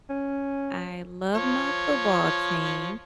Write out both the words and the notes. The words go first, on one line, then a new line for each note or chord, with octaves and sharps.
I love my football team.
C#4
F3 C#5